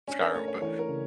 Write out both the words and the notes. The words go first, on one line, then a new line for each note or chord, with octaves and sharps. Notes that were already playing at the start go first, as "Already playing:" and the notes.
Skyrim, but,
C#4 D4
A#4
A3 C#5
C#5
E3 C#5
A#4
C#3